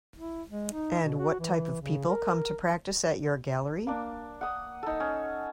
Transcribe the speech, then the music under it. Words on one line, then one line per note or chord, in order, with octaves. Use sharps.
And what type of people come to practise at your gallery?
E4
G#3
D#4
B2
F#4
E3
C#3
A#4
A#3 D4
F#5 D#6
D#4 A4
C#4